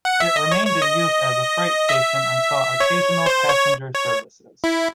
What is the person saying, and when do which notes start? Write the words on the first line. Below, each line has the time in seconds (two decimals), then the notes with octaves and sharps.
It remained in use as a freight station and saw occasional passenger services.
0.05 F#5
0.20 E5
0.36 D#5
0.51 C#5
0.67 C#5
0.82 D#5
1.89 E5
2.80 C#5
3.26 C5
3.49 C#5
3.95 C#5
4.64 E4